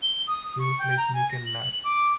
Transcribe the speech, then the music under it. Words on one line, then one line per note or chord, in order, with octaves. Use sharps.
He replaced Mihkel Laar.
G7
D#6
C#6
G5
A#5
G#5
A#6
F#7
D6